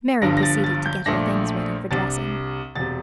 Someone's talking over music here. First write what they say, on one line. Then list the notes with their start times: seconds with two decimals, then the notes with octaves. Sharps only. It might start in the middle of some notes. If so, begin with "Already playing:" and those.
Mary proceeded to get her things ready for dressing.
0.22 G1 G2 D3 F3 A#6
0.37 A#6
0.43 A6
0.64 A6
0.86 G6
1.06 A#1 A#2 A3 D4 A#6
1.91 C2 C3 G3 D4 A6
2.75 E1 C3 A6